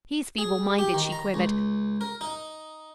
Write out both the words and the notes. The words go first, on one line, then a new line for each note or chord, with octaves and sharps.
"He's feeble-minded," she quivered.
G#4
G4
D#3
A#5
C#2
A#4
D#4